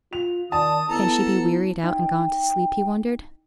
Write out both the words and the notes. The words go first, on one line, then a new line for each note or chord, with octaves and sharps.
Can she be wearied out, and gone to sleep, he wondered.
F4 F7
D#3 D5 A5 D#6
B3 E4 A4 A#5
D#4 G5